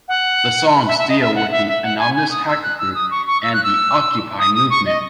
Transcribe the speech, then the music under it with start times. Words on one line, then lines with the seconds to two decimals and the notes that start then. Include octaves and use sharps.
The songs deal with the Anonymous hacker group and the Occupy movement.
0.08 F#5
0.87 E5
0.98 E5
1.09 D#5
1.20 E5
1.35 F#5
1.51 E5
1.68 E5
1.83 F#5
1.99 G#5
2.15 G#5
2.31 D#6
2.47 E6
2.62 F#6
2.78 E6
2.95 D#6
3.11 C#6
3.27 C#6
3.43 E6
3.53 F#6
3.63 E6
4.39 D#6
4.55 D#6
4.70 C#6
4.86 D#5